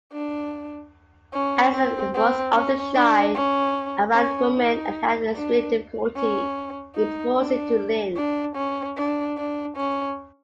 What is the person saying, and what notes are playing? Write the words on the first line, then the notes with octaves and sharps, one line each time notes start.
Andersen was often shy around women and had extreme difficulty in proposing to Lind.
D4
C#4
C4
C4
C#4
D4
C#4
C#4
D#4
D4
C#4
D#4
D4
D4
C#4
D4
D4
C#4